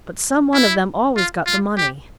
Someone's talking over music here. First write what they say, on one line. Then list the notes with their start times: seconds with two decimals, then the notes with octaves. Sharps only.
But some one of them always got the money.
0.54 E4
1.17 F4
1.47 F4
1.77 G4